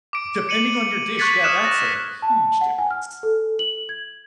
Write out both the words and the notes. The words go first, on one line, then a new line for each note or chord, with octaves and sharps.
Depending on your dish, yeah, that's a huge difference.
D6 D7
C#7 D#7 F#7
C#6 F#6 G#6 A6 B6 C#7
D#6 F6 F#6 E7
A#6
A5
F#5
G#5
F6
A4
F#7
G#6